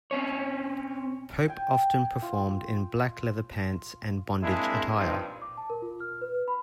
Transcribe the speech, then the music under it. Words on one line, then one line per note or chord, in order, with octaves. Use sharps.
Pope often performed in black leather pants and bondage attire.
C4 C#4 C#5
G5 G#5
F4
G#3 A#3 C4 D4 E4
G2 A#2 F3 C4 D#4
D6
A5
A#4
F4
F6
B4
F6
B5